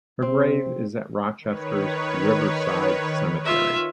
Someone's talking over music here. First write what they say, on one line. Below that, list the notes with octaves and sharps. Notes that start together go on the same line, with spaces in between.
Her grave is at Rochester's Riverside Cemetery.
C3 C4
D#3 B4 C#5
F4 E5